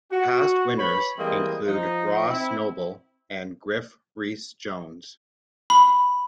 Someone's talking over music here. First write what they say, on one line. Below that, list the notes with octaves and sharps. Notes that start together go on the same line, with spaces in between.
Past winners include Ross Noble and Griff Rhys Jones.
F#4
B4 C#5 B5
E3 G3 G#3 A#3 C4 D#5
F3 D#4
C4 E4
B5